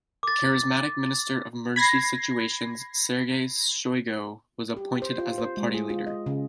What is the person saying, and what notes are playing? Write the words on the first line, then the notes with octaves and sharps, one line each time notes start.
Charismatic Minister of Emergency Situations Sergei Shoigu was appointed as the party leader.
D6 A6
B5 G#6 A#6 C7
G4
C5
F4
C5
G#3
G#4
F4
D#5
C#3